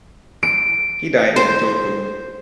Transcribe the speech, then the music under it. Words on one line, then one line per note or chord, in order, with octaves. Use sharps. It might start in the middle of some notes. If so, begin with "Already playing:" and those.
He died in Turku.
D7
C5